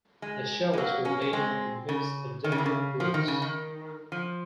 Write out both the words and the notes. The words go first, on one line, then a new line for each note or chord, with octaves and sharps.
The shells were made of a mix of different woods.
G#3
G#3
F#3 A#3
A#3 C#4
C#4
G#3 C4
C#3
D#3
C#3
C3
C#3
F3
D#3
C#3
D#3
F3